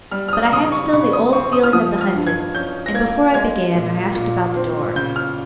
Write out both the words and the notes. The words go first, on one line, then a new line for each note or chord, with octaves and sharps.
But I had still the old feeling of the hunted, and before I began I asked about the door.
G3 F6
F6
D#6
F6
C#3 D#6
C#6
C#3 C#6
D#6
C4 C#6
D#6
F6
F3 D#6
F6
G2
G#6
C#4 G6
A#6
A#3 G#6
G#3 G#6
A#2
A#2
C4
C#3 G6
F6